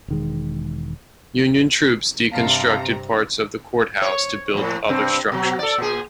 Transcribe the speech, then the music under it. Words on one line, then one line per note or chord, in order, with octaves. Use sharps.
Union troops deconstructed parts of the courthouse to build other structures.
E1 D#3 G#3
G2 C3 F5 A5 A#5
C#5
A2 F3
G2 C3 C4
B2 F#3
A4 D5
A#2 G#4